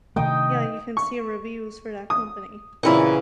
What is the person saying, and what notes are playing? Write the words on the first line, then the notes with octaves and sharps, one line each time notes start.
Yeah, you can see reviews for that company.
C3 D#3 A3 D#4 D#5 G5
C#6
D#6
A#2 C#3 E3 C4 E4 F#5